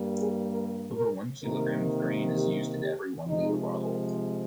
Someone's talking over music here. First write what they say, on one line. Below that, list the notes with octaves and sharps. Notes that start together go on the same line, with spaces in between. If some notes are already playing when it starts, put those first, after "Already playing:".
Over one kilogram of grain is used in every one-liter bottle.
Already playing: G2 G3 A#3
G#4
A#4
A#4
C3 D#3 A#3 A#4
G4
G4
C3 F3 G#3 D#4